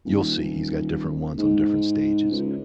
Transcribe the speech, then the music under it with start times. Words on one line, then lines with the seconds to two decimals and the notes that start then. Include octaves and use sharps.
You'll see, he's got different ones on different stages.
0.05 D#1
1.38 G#2
2.31 C#2